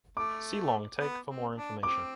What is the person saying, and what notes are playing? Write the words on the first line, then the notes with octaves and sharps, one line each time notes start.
See Long take for more information.
A3 D6
B3
C4
D4
C4 D6